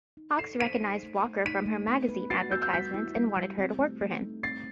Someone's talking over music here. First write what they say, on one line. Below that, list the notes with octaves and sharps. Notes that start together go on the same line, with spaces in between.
Hawks recognized Walker from her magazine advertisements and wanted her to work for him.
D#4
A4 C7 E7
C5 B6 D#7
D#4
A3
A3
D#4 B6 D#7
A3
B3
B4
F#4 A6 C7
F#4 E6 G6
E6 G6
G3 G6 B6
E4
G3
G3
C4
A3
A3
D#4
C4 A6 C7